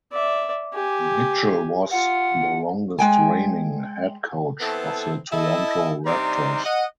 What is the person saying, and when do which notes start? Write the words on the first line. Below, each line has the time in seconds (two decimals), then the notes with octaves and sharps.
Mitchell was the longest reigning head coach of the Toronto Raptors.
0.12 D5 E5
0.73 G4 G#5
1.91 F4 F#5
2.99 G#3 G5 G#5
4.60 E3 B3 C4 A4
5.32 E4 A4 D#5
6.06 C3 G3 D4 D#4 A#5 C6
6.65 D#5 F#5